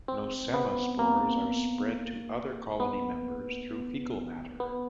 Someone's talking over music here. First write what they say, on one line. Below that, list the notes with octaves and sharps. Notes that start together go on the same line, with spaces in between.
"Nosema" spores are spread to other colony members through fecal matter.
C4
B3
A#3
B3
B3